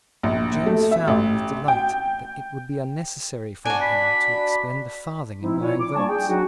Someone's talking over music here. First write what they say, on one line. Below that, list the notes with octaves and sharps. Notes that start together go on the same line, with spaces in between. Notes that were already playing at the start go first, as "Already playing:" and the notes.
James found with delight that it would be unnecessary for him to expend a farthing in buying votes.
A#1
A3
E5
A1
G5
D4 F#4 G#5
B5
F3 C4 D#4 E4
A#2 C#5
D6
G3 A#3 D4 G#5 A5 C#6
G#4 G5
F#3 D4 D#4 F#4